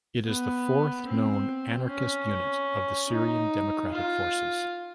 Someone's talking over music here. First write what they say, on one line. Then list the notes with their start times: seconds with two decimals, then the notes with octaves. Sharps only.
It is the fourth known anarchist unit of the Syrian Democratic Forces.
0.25 B3
1.06 C4
1.88 C#4
3.10 D#4
3.91 F4